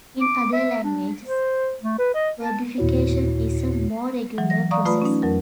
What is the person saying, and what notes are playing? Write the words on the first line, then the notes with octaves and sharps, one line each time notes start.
In other languages, verbification is a more regular process.
D6
E5
D4
C5
A3
B4
D#5
A5
D#2 A#2 E4 F#4 C#5
E3 F#3
A#6
D5 F5 A#5 C#6 D#6
A3 F4 B4 D5 B5 D#6
C#4 D#4
F2 F#3 A#4